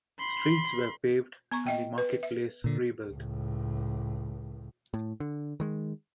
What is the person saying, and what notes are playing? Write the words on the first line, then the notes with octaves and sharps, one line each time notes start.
Streets were paved and the marketplace rebuilt.
B5 C6
B3 A#5 C#6
D#5 E5 G5
B4
E5
A#2 D3
C#2 A2
A2
D3
D#3 G#3